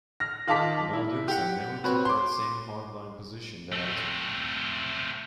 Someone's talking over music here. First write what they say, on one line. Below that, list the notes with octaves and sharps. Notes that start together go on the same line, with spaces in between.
Now, Dirksen never took that same hard-line position that I took.
F6 A#6
D#3 F4 G#4 A5 D6 B6
E4
G4 F#5
C4 F#4 B4 C#5
C6 D6
A3 C4